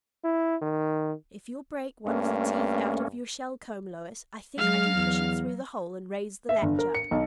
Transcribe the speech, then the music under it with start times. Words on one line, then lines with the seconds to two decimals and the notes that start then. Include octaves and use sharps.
"If you'll break one of the teeth out of your shell comb, Lois, I think I can push it through the hole and raise the latch up."
0.24 E4
0.62 D#3
2.07 G2 A3 A#3 C#4
4.58 F#3 G#3 F5 F6
4.95 E2
6.49 E5
6.62 G1
6.79 A#4
6.95 C#7
7.11 B1